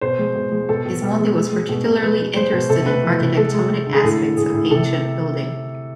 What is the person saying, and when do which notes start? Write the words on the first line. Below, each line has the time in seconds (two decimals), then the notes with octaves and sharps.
Gismondi was particularly interested in architectonic aspects of ancient building.
0.01 B2 C5
0.19 G#3
0.35 B2
0.52 G#3
0.69 B2 A4
0.86 B2
1.02 B2
1.19 G#3
1.36 G#3
1.52 G#3
1.69 B2
1.86 B2
2.02 G#3 B4
2.19 G#3
2.36 G#3 C5
2.52 B2
2.69 C3 A4
2.86 A3 B4
3.03 E3 B4
3.20 C3 B4
3.37 G#3 A4
3.53 G#3
3.70 G#3
3.87 D3
3.94 G#4
4.04 A2 A4
4.20 A2
4.37 A2 G#4
4.54 A2
4.70 C3 A4